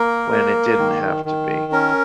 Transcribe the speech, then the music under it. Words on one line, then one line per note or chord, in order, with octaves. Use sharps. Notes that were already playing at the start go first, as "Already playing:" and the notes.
when it didn't have to be.
Already playing: A#3 A#4
A#3
D#3
D#3
C#4 A#4